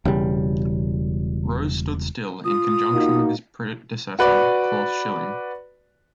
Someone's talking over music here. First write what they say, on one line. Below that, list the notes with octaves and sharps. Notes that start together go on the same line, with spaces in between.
Rose stood still in conjunction with his predecessor Claus Schilling.
E1 C#3 G3
F4 D#6
A#3 D#4 F#4
F#4 B4 D5